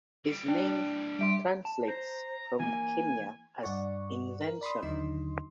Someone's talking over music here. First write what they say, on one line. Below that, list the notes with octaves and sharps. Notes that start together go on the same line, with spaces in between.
His name translates from Quenya as "invention".
E3 G3
D4 G5
G3 G4 E5 C6
A5
C5 A#5
E3 A#3 G#5
G2 D5 F#5 C#6
A#4
D5 B5 C6 D#6
D#2 D3 F#3 D#4 D#5 C6